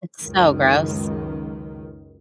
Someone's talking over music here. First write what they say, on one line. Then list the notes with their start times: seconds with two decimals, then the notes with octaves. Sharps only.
It's so gross,
0.22 C#2 F#2 D#3